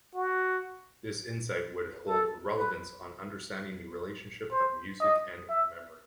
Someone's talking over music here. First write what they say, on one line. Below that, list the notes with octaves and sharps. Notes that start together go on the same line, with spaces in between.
This insight would hold relevance on understanding the relationship of music and memory.
F#4
A4
B4
C5
D#5
E5